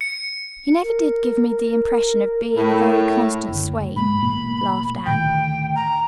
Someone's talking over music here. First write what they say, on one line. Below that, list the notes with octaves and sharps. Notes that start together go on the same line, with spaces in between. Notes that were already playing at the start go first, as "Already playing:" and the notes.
"He never did give me the impression of being a very constant swain," laughed Anne.
C#7
A#4
A2
F#1 D2
G#2 G#3 A#3 B5
A1 B2 A#3
D2 A2 D#3 G5
A#5